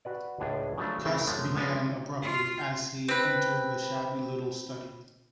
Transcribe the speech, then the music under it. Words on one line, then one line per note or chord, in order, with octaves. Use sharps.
Cuss began abruptly, as he entered the shabby little study.
F#4 B4 D5
C#2 A2 D4 G#4
C#3 F3 F#3 A3 D4
C#3 A3 C4 G#4 A#4
F#2 F3 G#3 A3
F3 G#3 B3 D4 F4
F4
C4 B4